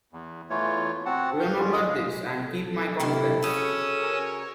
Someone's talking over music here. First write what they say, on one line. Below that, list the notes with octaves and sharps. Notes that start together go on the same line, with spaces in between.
Remember this, and keep my confidence.
E2
E2 E3 A3 F4 C#5
C4 F#4 F#5 A5
F6 G6
G#2 D3 C#4 F4
F5
A4
C3 A#3 E4
C#3 C#4 F#4 D#6 E6
A#4 C#5 G#5